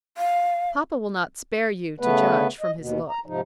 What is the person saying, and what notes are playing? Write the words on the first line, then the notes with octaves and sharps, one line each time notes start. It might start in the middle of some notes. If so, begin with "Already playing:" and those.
"Papa will not spare you, to judge from his look."
F5
C#3 A3 B3 B4
D#5
D#2 B2
A#5
G#2 C3 F3 D#4